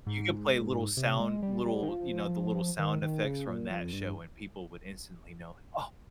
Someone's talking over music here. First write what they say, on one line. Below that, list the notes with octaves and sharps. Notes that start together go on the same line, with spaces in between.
You could play little sound little, you know, the little sound effects from that show, and people would instantly know, "Oh,
G#2
C3
G#3
G3
G3
D#3
F3
D#3
D#3
C#3
A#2
F2
G2